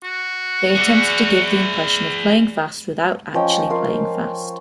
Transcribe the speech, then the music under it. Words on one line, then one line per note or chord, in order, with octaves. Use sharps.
They attempted to give the impression of playing fast without actually playing fast.
F#4
G#4 D5
F3 C#4 D#5 G5
F4 A#4 F5